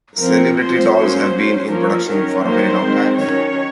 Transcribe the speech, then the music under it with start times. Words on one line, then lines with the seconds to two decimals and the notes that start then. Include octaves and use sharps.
Celebrity dolls have been in production for a very long time.
0.18 F3 C4 A#4
0.56 F3 C4 C5
0.93 F#3 A#3 C#4 C5
1.31 F#3 C#4
1.68 F3 A#3 C#4 A#4
2.05 D#3 F#3 C#4 A#4
2.43 D#3 F#3 A#3 C5
2.81 D#3 G#3 C4
3.18 D#3 F#3 C#4 C#5